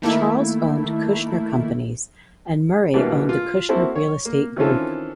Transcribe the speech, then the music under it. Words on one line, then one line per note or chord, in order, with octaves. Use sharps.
Charles owns Kushner Companies and Murray owns the Kushner Real Estate Group.
D#3 A3 A#3 E4
B2 E3 G3 A#3 B3 D4
F4
A#3 C4 E4 F#4 A4 C5
C#5
A#3
D#3 E3 C4 C#4 F4 A4